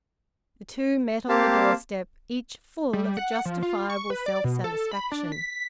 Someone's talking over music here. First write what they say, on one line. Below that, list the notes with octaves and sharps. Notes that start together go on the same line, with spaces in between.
The two met on the doorstep, each full of a justifiable self-satisfaction.
A#3 C4 G4 C5 F5 A5
G3
F#5
F3
F4
C#6
B4
D5
B2
A4
B5
D4
B6